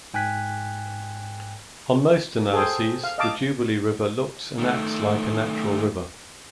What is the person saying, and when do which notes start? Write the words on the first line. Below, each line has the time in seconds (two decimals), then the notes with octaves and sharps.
On most analyses the Jubilee River looks and acts like a natural river.
0.14 G#2 G5 G#5 F#6 B6
2.53 G#4 A4 C5 G5
3.04 F5
3.18 D#5 F5 A5 D6
4.58 D#3 A3